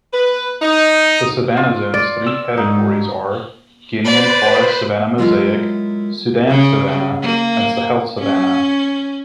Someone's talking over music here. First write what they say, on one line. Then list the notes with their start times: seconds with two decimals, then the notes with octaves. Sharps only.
The savannah zone's three categories are Guinean forest-savanna mosaic, Sudan savannah, and Sahel savannah.
0.13 B4
0.62 D#4
1.57 F4
1.94 D5
2.26 E6
2.57 G#2 D#4
4.05 B4 C5 D5 B5
5.18 F#3 G#3 E4 F4 A4 A#4
6.49 C#3
7.22 A#3
8.20 C#4